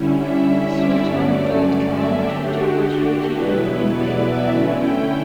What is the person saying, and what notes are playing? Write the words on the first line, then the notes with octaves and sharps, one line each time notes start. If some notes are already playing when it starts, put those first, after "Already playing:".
Sultan Daud Khan took the opportunity and invaded Bengal.
Already playing: D3 G3 C#4 E4
E5
E5
D5
G2 D3 F#3 A3 C#4
E5
D3 A3 D4 G4
F#4
G4
E2 B2 F#3 B3 E4 B4
D5
E5
D3 A3 C#4 E4
G5